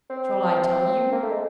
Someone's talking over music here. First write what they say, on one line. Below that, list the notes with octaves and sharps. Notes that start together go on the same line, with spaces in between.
Shall I tell you?
C4
A#3
A3
G#3